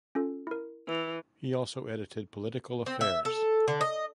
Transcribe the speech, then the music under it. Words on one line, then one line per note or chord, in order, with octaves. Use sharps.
He also edited "Political Affairs".
C#4 F4 A4
E4 A#4
E3
C4
E5
A4
D3
D#5